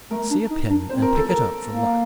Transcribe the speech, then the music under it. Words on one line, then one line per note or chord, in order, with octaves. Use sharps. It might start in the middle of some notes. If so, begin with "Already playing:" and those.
See a pin and pick it up for luck.
A3 A#4
D4
D#4
D4
C4 C5
A#4
A4
A#4
A#3